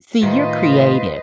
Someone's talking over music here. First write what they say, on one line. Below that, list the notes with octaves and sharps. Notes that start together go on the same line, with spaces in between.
See, you're creative.
A2 D#3 F4 B4 C5 D#5